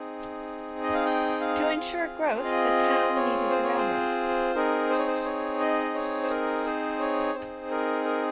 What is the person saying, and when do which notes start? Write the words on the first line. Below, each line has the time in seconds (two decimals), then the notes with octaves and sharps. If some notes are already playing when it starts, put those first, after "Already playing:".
To ensure growth the town needed the railroad.
Already playing: C4 D#4 G#4
0.83 D#5
0.94 F5
1.05 G5
1.41 F5
1.75 C4 F4 G#4
2.44 D#5
3.16 C#5
3.50 C5
3.63 C#5
3.77 C5
4.55 C4 D#4 G#4 A#4
4.89 C5
4.98 C#5
5.07 C5
5.25 C#5
5.59 D#5
5.94 C#5
6.23 C5
6.30 A#4
6.65 C5
7.00 C#5
7.34 C4 D#4 G#4 C5
7.71 A#4
8.05 A#4